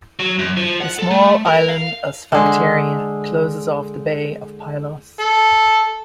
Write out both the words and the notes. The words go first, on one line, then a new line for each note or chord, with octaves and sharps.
The small island Sphacteria closes off the bay of Pylos.
F#3
F#2
F3
F#5
A4
A3
A#4
F5
D3 G#3
A4